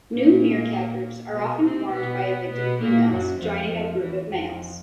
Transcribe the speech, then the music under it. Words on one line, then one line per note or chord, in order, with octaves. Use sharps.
New meerkat groups are often formed by evicted females joining a group of males.
A#2 A#3
B2 B3
C3 C4
B2 B3
B2 B3
A#2 A#3
F#2 F#3
F2 F3
F2 F3
E2 E3
F2 F3